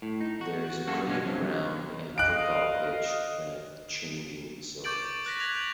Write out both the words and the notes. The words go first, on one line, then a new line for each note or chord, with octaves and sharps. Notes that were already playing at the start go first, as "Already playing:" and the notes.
There is a cricket ground and football pitch with changing facilities.
A2
D#4
F#4
F#2 A#3 F#4 G#4 A4
B2 D3 G3 G#3 C#4
G2 C3 F3 F#3
D#5 F5 F#6 D7
C#6 D6 G6 A6 D7 F#7
A6
F#6 A#6 B6
G#6 A#6 F7 F#7
G6 F7 F#7